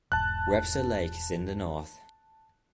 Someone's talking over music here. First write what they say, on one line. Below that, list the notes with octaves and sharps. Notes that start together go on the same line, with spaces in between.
Webster Lake is in the north.
E1 G#2 A5 F#6